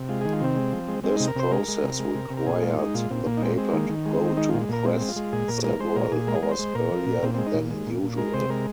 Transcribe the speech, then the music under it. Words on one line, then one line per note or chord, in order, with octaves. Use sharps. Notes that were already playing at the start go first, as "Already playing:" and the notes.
This process required the paper to go to press several hours earlier than usual.
Already playing: C3
G#3 F4
D#3 G#4
F4
C3 C4
G#3
F3
G#3
G#3 C4
C3 D#4
A#4
C3 C5
G#3 A#4
G#3
C3
G#3
C3
C3
A#4
A#2 G#4
G#3 F4
G#3 D#4
A#2 F4
A#2 C4
A#2 A#3
D#4
G#3 C4
G#3 C4
D#3 A#3
D#3
G#3
C4
D#3
G#3 D#4
A#2 F4
A#2 A#4
G#3 C4
G#3
F4
G#3
A#2 G#4
A#2 A#4
G#3 A#4
G#3 C5
A#2 A#4
A#2 G#4
G#3 A#4
G#4
G#3 A#4
C5
G#3
A#2 A#4
F3
A#2
A#2 C4
G#3 C4
D#4
A#2
G#3
A#2
A#2
G#3 A#4
C3 C5
G#3 A#4